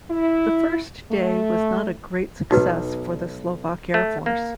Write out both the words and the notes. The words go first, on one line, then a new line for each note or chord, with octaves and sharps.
The first day was not a great success for the Slovak Air Force.
E4
A3
B1 D#4 F#4 B4
A3
A#3